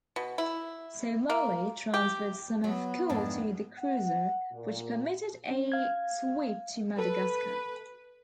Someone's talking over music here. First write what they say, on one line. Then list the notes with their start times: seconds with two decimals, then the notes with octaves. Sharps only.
"Somali" transferred some of coal to the cruiser, which permitted a sweep to Madagascar.
0.16 B2
0.38 E4
1.30 A#3
1.94 G4
2.64 F#3 B3
3.09 F2 G#2 D4
3.78 F#5
4.52 A#2
5.50 C#4
5.72 F5 G#6
6.98 A4 B4